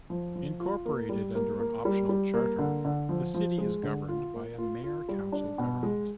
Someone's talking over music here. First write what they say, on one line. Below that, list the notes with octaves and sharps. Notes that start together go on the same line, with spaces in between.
Incorporated under an "optional charter", the city is governed by a mayor-council government.
F3
F3
F4
A#3
G3
A#3
A#3
G3
G3
A#3
D3
D3
F3
F3
G#3
D3
F4
A#3
F4
F4
G3
D4
B2
G#3